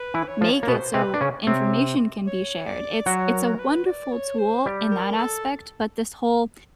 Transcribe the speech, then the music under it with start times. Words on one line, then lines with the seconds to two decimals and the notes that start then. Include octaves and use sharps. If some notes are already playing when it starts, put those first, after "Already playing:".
make it so information can be shared, it's it's a wonderful tool in that aspect, but this whole
Already playing: B4
0.14 E3 E4
0.28 C#5
0.41 F3 F4
0.63 A#3
0.67 B2 B3 C5
0.94 C3 C4 B4
1.14 D4
1.21 C#3 C#4
1.47 C3 C4 C#5
2.27 C#5
2.66 D5
3.06 F#3 F#4 C#5
3.32 A#4
3.59 B4
3.86 D5
4.12 C#5
4.38 C5
4.66 G3 G4
4.91 A#4
5.18 A4